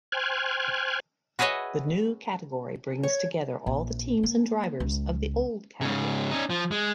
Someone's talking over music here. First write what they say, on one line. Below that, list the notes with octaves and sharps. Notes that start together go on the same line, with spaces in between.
The new category brings together all the teams and drivers of the old category.
C5 G5 G#5 F6 F#6 G#6
F#4 G#4 B4 C#5 D#5 E5
C#5
A#1
A#3
C#2
G#2 C#3
C#4 D#4
F3
G#3